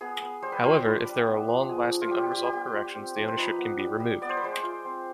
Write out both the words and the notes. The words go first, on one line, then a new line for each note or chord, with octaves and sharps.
However, if there are long lasting unresolved corrections, the ownership can be removed.
B3 G#4
B3
G3 C5
B4
F4 C5
D4 B4
G3
B3
F3
B3 G#4
D4
F4
G3 G4
G4
F4 G4
G4
B3 G4
F4
C4
F3
C5
D#4 B4
B3
G3
G3
B3 D5
C5
B4
G#3 C5
F4
C4